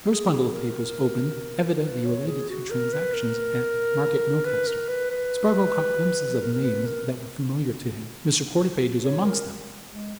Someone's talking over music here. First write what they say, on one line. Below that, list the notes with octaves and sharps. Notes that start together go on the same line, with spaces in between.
The first bundle of papers opened evidently related to transactions at Market Milcaster: Spargo caught glimpses of names that were familiar to him, Mr. Quarterpage's amongst them.
G#4
G#4
A#4
B4
C#5
G#4
F#4
A#4
B4
A#4
B4
A#4
B4
B4
A#4
A#4
B4
A#4
C#5
A#4
G#3